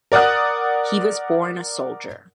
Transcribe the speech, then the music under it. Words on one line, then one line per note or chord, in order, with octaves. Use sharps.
He was born a soldier.
A#4 D5 F#5 D#6 F#6